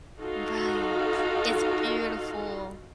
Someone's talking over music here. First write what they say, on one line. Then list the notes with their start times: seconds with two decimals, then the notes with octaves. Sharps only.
Right, it's beautiful.
0.20 D#4 F4 F#4 A4 F5